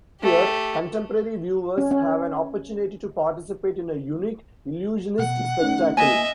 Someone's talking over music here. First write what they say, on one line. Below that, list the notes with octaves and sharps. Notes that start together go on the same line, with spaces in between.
Here, contemporary viewers have an opportunity to participate in a unique illusionist spectacle.
A3 G4
C#4
C#4
B2 F#5
A3 C#4 D#4
A#3 D#5 E5 G#5